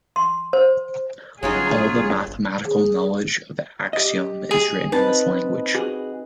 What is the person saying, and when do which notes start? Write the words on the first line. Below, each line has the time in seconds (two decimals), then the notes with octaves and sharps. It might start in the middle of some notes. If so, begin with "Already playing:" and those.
All the mathematical knowledge of Axiom is written in this language.
0.16 C6
0.53 C5
1.43 G1 F#3 C#4 D#4 F4 G#4 C#5
2.66 G#4
3.93 G4 D#5
4.51 G#4
4.92 C4 D#4 B4 A5
5.75 F#4 G#4